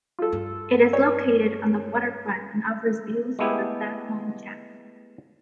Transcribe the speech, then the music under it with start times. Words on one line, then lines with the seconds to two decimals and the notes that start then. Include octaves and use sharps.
It is located on the waterfront and offers views of the Tathong Channel.
0.19 F4 A4
0.32 G2
0.93 C#5
3.39 G#3 A3 B3 E4 G4 G#4